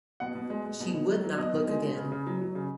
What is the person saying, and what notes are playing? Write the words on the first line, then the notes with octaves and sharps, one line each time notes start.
She would not look again.
B2 F#5
B2
G#3
G#3
B2
B2
F#3
F#3
B2 D#5
B2
G#3
G#3
C#3
C#3
F#3
F#3
C#3